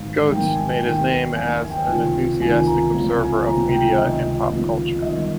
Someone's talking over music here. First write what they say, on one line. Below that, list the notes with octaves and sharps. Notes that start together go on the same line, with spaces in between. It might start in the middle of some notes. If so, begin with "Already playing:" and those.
Goetz made his name as an enthusiastic observer of media and pop culture.
Already playing: G#1 G#2 D#3 F5
G#1 G#2 D#3 G5
G#5
G5
D#2 D#3 G5
D#2 D#3 G#5
G#5
G5
C#2 C3 D#3
C#2 C3 D#3 G#5
A#5
C#2 C3 D#3
G#5
C#2 C3 D#3 A#5
G5
C#2 C3 D#3 D#5
C#2 C3 D#3
G1 G2 D#3 D#5